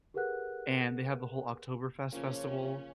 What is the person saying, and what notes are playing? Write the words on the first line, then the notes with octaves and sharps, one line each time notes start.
and they have the whole Oktoberfest festival
G4 G#4 A#4 B4 F#5 F#6
C#3 F3 A#3 C#4